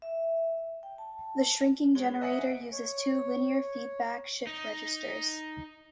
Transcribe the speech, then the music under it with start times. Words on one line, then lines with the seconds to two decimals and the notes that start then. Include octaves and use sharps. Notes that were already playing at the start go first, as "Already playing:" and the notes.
The shrinking generator uses two linear feedback shift registers.
0.02 E5
0.83 G5
0.98 A5
1.95 G#3 C#5 G7
2.21 D#5 E5 F#5 G#5 D#6 C#7
2.47 D7
2.72 C#5
4.47 D#4